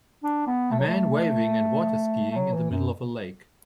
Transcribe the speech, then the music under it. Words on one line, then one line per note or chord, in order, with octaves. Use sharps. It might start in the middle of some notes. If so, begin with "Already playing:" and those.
A man waving and waterskiing in the middle of a lake.
D4
B3
A3
F#3
A3
A3
F#3
E3
F#2